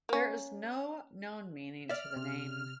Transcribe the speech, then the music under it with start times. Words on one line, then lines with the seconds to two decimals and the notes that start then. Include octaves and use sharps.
There is no known meaning to the name.
0.09 A#3 C#4
1.89 D5 E5 F6
2.16 C3